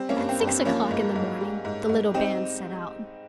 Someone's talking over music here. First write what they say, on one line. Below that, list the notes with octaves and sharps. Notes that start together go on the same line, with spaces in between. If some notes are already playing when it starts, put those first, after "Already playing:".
At six o'clock in the morning the little band set out.
Already playing: G3 C4
A#3 C#4
G2
C4
G2
C4
F3 A#3 C#4
G#2
G#2
G3
G#2
G#2
G3 C4 D#4